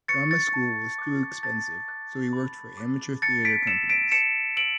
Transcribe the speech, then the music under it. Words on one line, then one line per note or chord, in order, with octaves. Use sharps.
Drama school was too expensive so he worked for amateur theatre companies.
C#6 F#6 A6 C#7
A6
A5
D6 F#6
A5 A6
D6 F#6
B5
D6 F#6
A5 A6 C#7
B6 D7
E6 C#7 E7
B6 D7
A5 C#7 E7
E6 D7 F#7